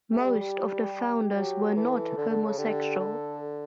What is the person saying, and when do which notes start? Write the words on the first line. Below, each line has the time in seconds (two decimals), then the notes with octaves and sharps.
Most of the founders were not homosexual.
0.12 A3 G4
0.26 G3
0.40 G3
1.35 F#3 G4
1.76 E3 A4
2.17 D3
2.30 D3
2.45 C#3
2.58 D3 G4
2.98 D3 A4